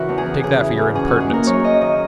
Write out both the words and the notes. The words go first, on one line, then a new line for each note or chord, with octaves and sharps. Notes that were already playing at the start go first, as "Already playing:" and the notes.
Take that for your impertinence.
Already playing: C#3 E3 F#4 A#4
E2
G#4
E2
C#3 G#4
E3
E2
C#4 G#4
D#3 F#4
G#4
A#3 A#4
F#2 C#5
C#4 D#5
D#3 D#5